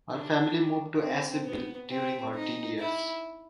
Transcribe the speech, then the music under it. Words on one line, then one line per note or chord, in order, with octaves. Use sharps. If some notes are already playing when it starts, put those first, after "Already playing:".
Her family moved to Asheville during her teen years.
D4
C4
B3
C4
D#4
E4